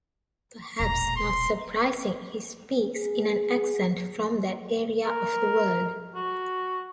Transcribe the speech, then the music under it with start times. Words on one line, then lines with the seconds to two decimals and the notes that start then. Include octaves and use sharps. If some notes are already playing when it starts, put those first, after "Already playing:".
Perhaps not surprising, he speaks in an accent from that area of the world.
0.80 E1 A#1 A#5
1.16 C6
2.95 G#4
5.04 A#4
6.15 F#4